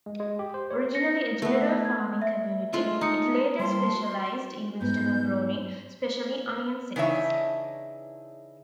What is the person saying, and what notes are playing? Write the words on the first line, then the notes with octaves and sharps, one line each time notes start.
Originally a general farming community, it later specialized in vegetable growing, especially onion sets.
G#3
G#3
G4
C5
C#5
A#6 C#7
A3 B3
G#6
E5
G#3 A3 F4
D#4 A#5 D#6 C#7
G3 A#3 A5 C6
F#4
G#2 B3 G6
C#3 E3 D4 D#4 C#5 E5